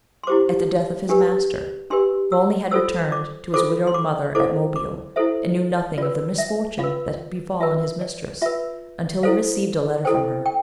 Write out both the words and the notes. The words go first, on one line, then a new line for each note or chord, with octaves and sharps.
At the death of his master, Volney had returned to his widowed mother at Mobile, and knew nothing of the misfortune that had befallen his mistress, until he received a letter from her.
C6
E4 G4 C5 D6
D4 G4 B4
D4 G4 B4 C6
E6
F4 A4 C5 E6
D6
F4 A4 C5 D6
C6
D6
E4 A4 C5 D6
D6
E4 A4 C5 E5
F4 B4 D5
E5
F4 B4 F5
F4 B4 E5
D5
F4 B4 E5
E4 A4 C5 F5
E4 A4 C5 G5
G5